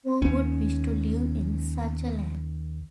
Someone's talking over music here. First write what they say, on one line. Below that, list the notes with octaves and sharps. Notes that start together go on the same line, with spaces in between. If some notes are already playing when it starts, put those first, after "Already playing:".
Who would wish to live in such a land?
D#2 C#4